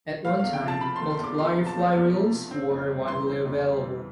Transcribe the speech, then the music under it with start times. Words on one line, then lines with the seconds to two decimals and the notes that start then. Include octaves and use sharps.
At one time, multiplier fly reels were widely available.
0.25 A3 F5
0.39 F5
0.43 E2
0.53 G5
0.63 F3
0.68 A5
0.81 C3 B5
0.96 C6
1.01 A3
1.10 C6
1.19 E2 D6
1.38 F3 C6
1.57 C3
1.67 A5
1.76 A3
1.95 E2
2.14 F3
2.32 C3
2.51 C4
2.70 F2
2.89 G3
3.07 E3 C6
3.27 C4
3.45 F2
3.63 G3
3.83 E3